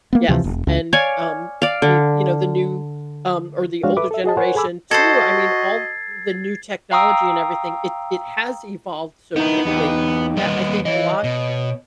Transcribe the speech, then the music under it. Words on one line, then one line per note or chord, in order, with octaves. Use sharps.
yes, and, um, y you know, the new, um, or the older generation too, I mean, all the new technology and everything, it it has evolved so quickly that I think a lot,
A#3 B3
D2 C3 E3 F3
E1
C#2
C#5 D5 F5 G#5
D5 F5
D3
F3 G#3 D4 F#4 C#5 F5
A4 B4 E5 D6
A4 E5
F#4 G#4 D#5 A5
A#4 C5 C#5 F#5 G#5
G#4 A4 G#5 B5 D6 E6
F#4 A4 C5 D#5 G#6 A6 C7
F5 G5 A#5 C#6 D#6 E6
B3 D#4 E4 A#4
E2 D#4 G4
D#2 G3 B3 D5 D#5
E3 C#5 D#5
B2